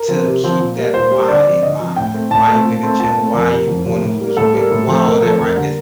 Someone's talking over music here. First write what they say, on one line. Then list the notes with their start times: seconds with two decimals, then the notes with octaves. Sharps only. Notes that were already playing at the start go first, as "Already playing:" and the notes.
to keep that why in mind, like, why you in the gym? Why you wanna lose weight? Why all that, right, if
Already playing: A#4
0.08 F3 C4
0.26 C3
0.44 F3 C4
0.60 A#2
0.78 G3 A#3
0.94 A#2 C5
1.11 G3 A#3
1.28 D3 D5
1.46 F3 C4
1.63 D3 D#5
1.80 F3 C4
1.96 A2 G5
2.14 A3 C4
2.31 A2 A5
2.48 A3
2.53 C4
2.65 A#2
2.83 A3 C4
3.00 A#2 A5
3.17 A3 C4
3.33 F2 A#4
3.50 C3 F3 A#3
3.68 F2
3.85 C3 F3 A#3
4.02 A2
4.20 G3 A#3
4.37 A2 A4
4.53 G3 A#3
4.71 A2
4.88 F3 A3 C4
5.04 A2 A#4
5.22 F3 A3 C4 A4
5.39 F2 A#4
5.56 D3 G3 A#3